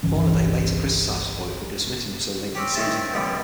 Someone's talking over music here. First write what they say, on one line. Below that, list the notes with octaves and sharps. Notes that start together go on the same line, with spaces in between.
Hornaday later criticized Foyt for dismissing him so late in the season.
G1 C2 E3 C#4
C4 C#4 G4
D#3 C4 C#4 E5 G#5 A5
C#2 F#2 B2 G3